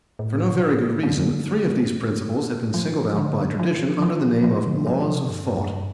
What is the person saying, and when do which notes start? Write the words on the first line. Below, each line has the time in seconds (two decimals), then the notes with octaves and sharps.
For no very good reason, three of these principles have been singled out by tradition under the name of 'Laws of Thought'.
0.19 A2
0.50 C3
0.62 A2
1.03 D3
2.74 F3
3.17 D3
3.59 F3
4.02 F3
4.44 F3
4.66 D3
4.87 F3
5.08 C3
5.29 G2
5.58 G2